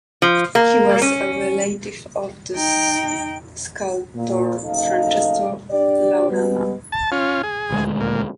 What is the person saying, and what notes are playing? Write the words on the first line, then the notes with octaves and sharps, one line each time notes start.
He was a relative of the sculptor Francesco Laurana.
F3
A#3
C#4
D#4 G5
A#2
F#1 D#4 A4 D#5 F5
D4 G4 D5
G3 G#3 B3 B4
A5
C#4 F4
G#4
D#1 D2 G#3
A#2